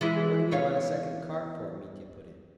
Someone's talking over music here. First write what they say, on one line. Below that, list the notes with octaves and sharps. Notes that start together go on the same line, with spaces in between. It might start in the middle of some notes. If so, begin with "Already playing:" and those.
"But what do we want a second cart for?" Mitya put in.
E3 G#3 E4
E2 C#5 F5